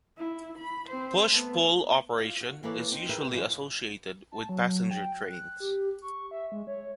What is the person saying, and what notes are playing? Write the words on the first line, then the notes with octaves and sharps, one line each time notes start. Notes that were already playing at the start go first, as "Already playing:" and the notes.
Push-pull operation is usually associated with passenger trains.
E4
B5
C4 C5
A3 B3
F4 D5 F5
F#4
E3 A#3 A4 B4 C#5 D5
C4 D#4
G#4 A#4 B4 E5 G5
F#2 C3 E3 F4 D#5
A5
F#3
G5
F#6
G4
C#6
E5
G#3
C#5